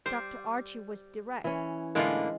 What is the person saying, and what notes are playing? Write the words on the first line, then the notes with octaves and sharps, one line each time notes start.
Dr. Archie was direct.
G3 C5
E3 C#4
A2 D3 G#3 A#3 F4